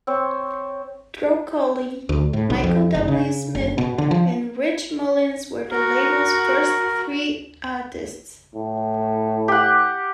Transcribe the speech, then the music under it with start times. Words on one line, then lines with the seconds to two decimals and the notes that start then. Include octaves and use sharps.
Troccoli, Michael W. Smith, and Rich Mullins were the label's first three artists.
0.07 C4 C#5 G5
2.09 D2
2.33 A2
2.50 B1
2.64 F2
2.95 F#1
3.08 C#3
3.55 F#1
3.78 B2
3.98 D3
4.11 F3
5.71 F#4 A#4
8.55 A2
9.48 G4 F#5